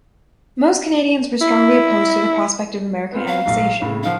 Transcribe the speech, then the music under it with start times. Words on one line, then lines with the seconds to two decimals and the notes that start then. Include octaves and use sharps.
Most Canadians were strongly opposed to the prospect of American annexation.
1.42 E4
3.12 B3 C4 F4
3.28 F5
3.45 A#1 G#2 F#3
3.82 A2 C#3
4.03 D#3 F3 F5 F#5